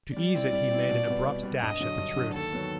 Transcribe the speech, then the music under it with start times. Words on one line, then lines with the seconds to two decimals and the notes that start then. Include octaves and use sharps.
To ease it he made an abrupt dash at the truth.
0.17 G3 D5
0.34 C4 E4
0.53 G3
0.71 C4 E4
0.89 B2
1.07 G3 B3
1.25 B2
1.43 G3 B3
1.61 G2 D#5
1.80 D3 F#3
1.97 G2
2.16 D3 F#3
2.34 D#2 A4
2.53 D#3 F#3 B3